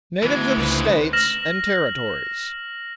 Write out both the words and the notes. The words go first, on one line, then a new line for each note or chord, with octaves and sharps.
Natives of States and Territories.
D2 E3 G#3
C#2 B4 C5
F6 A#6 E7 F#7